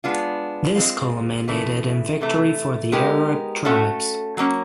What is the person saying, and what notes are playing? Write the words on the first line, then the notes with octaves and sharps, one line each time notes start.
This culminated in victory for the Arab tribes.
G#3 B3 D4 F4
G#3 C4 F4
C#3 E3 A3
C3 E3 A3
G#3 B3 D#4 G4 A#4
A3 C#4 F#4 A4
F#3 A#3 C#4